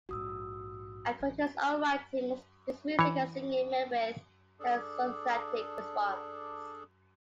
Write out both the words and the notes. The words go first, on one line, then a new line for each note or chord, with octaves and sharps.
According to his own writings, his music and singing met with an enthusiastic response.
A#1 G#2 F#4 D#6 E6
A1
E3 C#5
D4 G#4 A4 D5